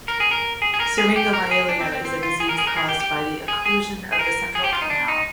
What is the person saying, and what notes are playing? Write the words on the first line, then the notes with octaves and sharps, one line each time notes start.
Syringomyelia is a disease caused by the occlusion of the central canal.
A#4
G#4
A#4
G#4
G#4
A#4
G#4
G4
A#4
G#4
D4
C4
C4
C4
F4
G#4
A#4
G#4
A#4
G#4
G4
G4
G#4
G#4
G#4
A#4
G#4
G4
F4
D#4
D4
D#4